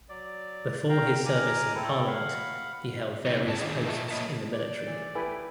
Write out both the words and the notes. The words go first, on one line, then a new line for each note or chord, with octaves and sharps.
Before his service in Parliament, he held various posts in the military.
F#3 D5
F5 G5 A#5
A#4 G#5 A#5 D6
C4 E4 A4
F5 F#5 B5
C3 C4 D#4 C#5
G#2 B3 G#4 A5
D#3 D4 G#4
A#2 F4 D#5 E5 A5
A#3 B4 C#5 D#5 E5 A5
D5
E3
A3 E4 G4 B4 G#5